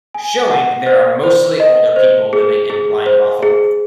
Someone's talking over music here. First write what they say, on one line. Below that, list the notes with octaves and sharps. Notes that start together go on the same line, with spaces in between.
Showing there are mostly older people living in Blindbothel.
G#5
F#5
C5
C5
D#5
C5
G#4
G#4
C5
G#4